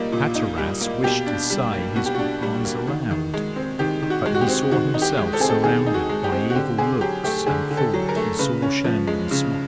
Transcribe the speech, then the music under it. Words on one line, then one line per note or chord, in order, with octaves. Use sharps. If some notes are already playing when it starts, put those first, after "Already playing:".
Hatteras wished to say his good-byes aloud, but he saw himself surrounded by evil looks and thought he saw Shandon smile ironically.
Already playing: A#2 G3 A#3 D#4
A#2
D#4
G3
A#3
B2 G4
D4
G3
A#3
B2 F#4
G4
D4 F#4
G3
A#3
D#3
D#3
G#3
C4
D#3 G4
D#3
F#4
G#3
F#4
G4
C4
D#3 F#4
D#4
G4
G#3
A4
C4 G#4
A4
D#3 G#4
D#4
F#4
G#3
G4
C4
F#4
D3 G4
D3 G#4
F#3 G4
A3 G4
D3 G#4
D3
A4
F#3
A#4
A3
C#3 B4
C#4
F3
G#3
C#3